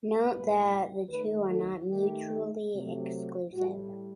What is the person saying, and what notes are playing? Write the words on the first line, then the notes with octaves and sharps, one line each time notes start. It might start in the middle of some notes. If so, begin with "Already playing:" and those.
Note that the two are not mutually exclusive.
A2 G3 B4
D#3 A3 B4
A4
D#3 A3 G4
C3 F#3 A3
A2 G3 F#4